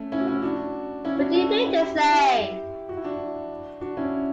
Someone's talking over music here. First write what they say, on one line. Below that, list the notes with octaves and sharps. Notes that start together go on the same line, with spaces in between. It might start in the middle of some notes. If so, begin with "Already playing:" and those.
What do you mean to say?
Already playing: A3 C#4
C#4 E4
F#4
C#4 E4
D4 F#4
C#4 E4
E4
D4 F#4
F#4 A4
E4 G4
E4 G4
F#4
E4
D4 F#4
D4 F#4
C#4 E4